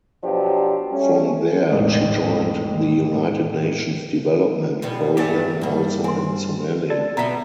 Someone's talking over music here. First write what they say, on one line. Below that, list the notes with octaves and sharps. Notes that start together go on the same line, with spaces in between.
From there she joined the United Nations Development Programme also in Somalia.
B2 F3 F#3 D4 G4
G3 A3 C#4
E1 A1 G#2
E2 B2 G3
G2 D#3 F#3 D#4 G4 D5 E5 G#5
G2 D#3 G3 A#3
C4 G#5 C6
A4 D5
B2 F#3 B3 C4 E5 A#5